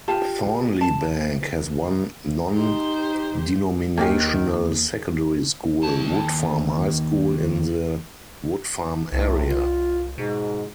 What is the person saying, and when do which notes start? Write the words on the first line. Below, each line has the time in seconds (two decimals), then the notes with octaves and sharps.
Thornliebank has one non-denominational secondary school, Woodfarm High School in the Woodfarm area.
0.08 F4 G4 F5 A5
0.81 A5
2.53 D#4 G4 C5
3.98 D#2 D#3 A#3 G4 G#5
5.83 D#2 A5
9.12 C2 A2
9.46 F4
10.18 G#2 B2